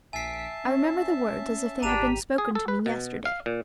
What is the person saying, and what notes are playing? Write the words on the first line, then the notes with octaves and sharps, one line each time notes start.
I remember the words as if they had been spoken to me yesterday.
A#1 E5 G#5 A5 B6 C7 D7
C#4
G#1 D4 G4 A#5 B6 D#7 F7
G#4
A4
B4
B2
F5
A#2